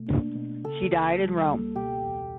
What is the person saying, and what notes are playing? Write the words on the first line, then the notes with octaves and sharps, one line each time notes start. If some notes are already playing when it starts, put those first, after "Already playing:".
She died in Rome.
Already playing: B2 A3
D4
B2
C#3 A4
C#2
G3
C#2
B2 G4
E2